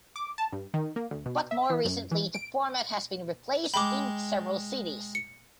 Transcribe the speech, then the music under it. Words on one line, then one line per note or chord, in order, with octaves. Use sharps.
But more Recently, the format has been replaced in several cities.
D6
A5
G2
D#3
A#3
D2
B2
E5
E3
F#2
E3
D7
G#3 G5 B5 D6
C#7